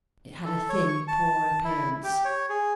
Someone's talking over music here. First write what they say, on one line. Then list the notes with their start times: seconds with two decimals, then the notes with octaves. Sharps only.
It had a thin, poor appearance.
0.45 A4
0.69 C#5
0.88 C#6
1.08 A5
1.64 E4
2.04 G4
2.25 C#5
2.50 G#4